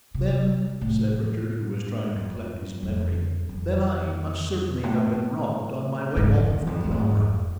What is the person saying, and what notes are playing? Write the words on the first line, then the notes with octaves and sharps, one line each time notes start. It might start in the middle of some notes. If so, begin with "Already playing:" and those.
"Then," said Richard, who was trying to collect his memory, "then I must certainly have been robbed on my way home from the Opera."
C3
A2
F2
F2
F2
A2
G#2
F2
E2
F2
G#2
A2
G#2
F2